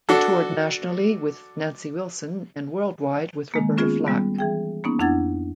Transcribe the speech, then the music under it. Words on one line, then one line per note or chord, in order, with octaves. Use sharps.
He toured nationally with Nancy Wilson and worldwide with Roberta Flack.
D4 F#4 A4
D#3 G#3 A#3
B3 C#4 F4 G#4
G3 B3
E3 G#4 G5
A#3 B3 C#4 D#4
F2 D4 E4 F#5 G#6 A6